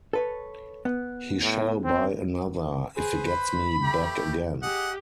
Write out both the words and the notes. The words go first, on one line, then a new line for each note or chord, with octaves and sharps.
He shall buy another, if he gets me back again.
A4 B4 C#5
B3
A2
C4
G#4 B4 C5
B5
A3 G4
G4 G#4 D#5 F#5